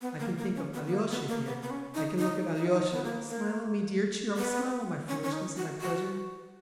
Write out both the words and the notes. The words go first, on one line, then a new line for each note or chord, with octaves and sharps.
I can think of Alyosha here, I can look at Alyosha ... smile at me, dear, cheer up, smile at my foolishness, at my pleasure....
B3
A#3
A#3
C#4
B3
B3
A#3
B3
A#3
B3
B3
C#4
D#4
D#4
D#4
F4
D#4
B3
A#3
A#3
B3
C#4
C#4
D#4
F#4
F#4